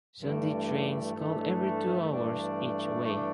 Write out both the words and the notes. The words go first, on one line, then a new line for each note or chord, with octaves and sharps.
Sunday trains call every two hours each way.
G2 E3 A3 D4
G2 E3 A3 D4
G2 E3 A3 D4
G2 E3 A3 D4